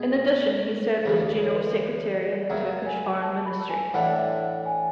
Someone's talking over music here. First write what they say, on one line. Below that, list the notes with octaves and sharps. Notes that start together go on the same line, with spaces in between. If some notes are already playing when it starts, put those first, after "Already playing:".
In addition he served as General Secretary in the Turkish Foreign Ministry.
Already playing: B2 G#3 G#4
D2 C#3 E3 G#4
A4
C#5
B4
C#5
D5
F#2 C#3 F#3 E5
G#5
A5
B5
G#5
A2 E3 A3 D4 A4 F#5
E5
F#5
G#5